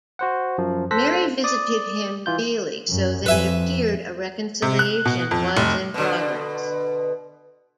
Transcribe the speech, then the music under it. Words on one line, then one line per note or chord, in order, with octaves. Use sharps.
Mary visited him daily, so that it appeared a reconciliation was in progress.
F#4 C5 F#5
F#2 F3
A4 C5 F#6 A#6 B6
D5 D#6
E3 F4 G6
F#2
F2 B4 E5 G#5
C3
F#6
B2
F2
F1
B2 D3